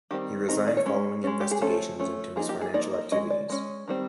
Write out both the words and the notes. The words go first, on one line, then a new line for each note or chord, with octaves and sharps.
He resigned following investigations into his financial activities.
D#3 G3 C4 D#4 G4
D#3 G3 C4 D#4 A#4
D5
C#5
G#3 C#4
G#3 C#4
G4
G#4
F3 A3 C#4 A4
F3 A3 C#4
F3 A#3 D#4 G#4
G4
G#4
F3 A#3 D#4 D5
D#5
G#3 C#4 D#5
D5
G#3 C#4
D#3 G3 C4